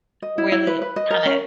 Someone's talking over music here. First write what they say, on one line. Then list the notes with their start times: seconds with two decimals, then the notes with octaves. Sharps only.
Really kinda
0.22 D#5
0.38 E4
0.52 E4
0.67 B4
0.82 B4
0.96 D#5
1.11 A#4
1.26 C#4